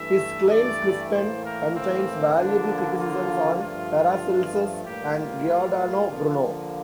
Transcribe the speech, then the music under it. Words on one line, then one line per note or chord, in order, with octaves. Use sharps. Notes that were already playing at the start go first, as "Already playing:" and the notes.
His "Kleine Schriften" contains valuable criticisms on Paracelsus and Giordano Bruno.
Already playing: G2 E3 A3 E5
D5
A2 E3 A#3 C5
A#4
C4
D3 F3 A#3 D4
F4
G2 F3 A3 F4
A2 G3 A#3 G4
F4
D3 F3 A#3